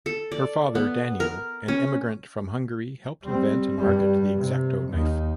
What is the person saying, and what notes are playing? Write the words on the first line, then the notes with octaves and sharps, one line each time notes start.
Her father, Daniel, an immigrant from Hungary, helped invent and market the X-Acto Knife.
A4
D5
B3
A#4
C#4
G3 C4
G2 G3
C3
D#2 D#4